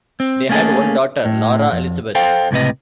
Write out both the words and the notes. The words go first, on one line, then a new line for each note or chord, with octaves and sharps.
They had one daughter, Laura Elizabeth.
C4
A3 A#3 C#4 G#4 A4
A2
F2
A4 C5 F5 G5
C#2 A2 C3 B4 D#5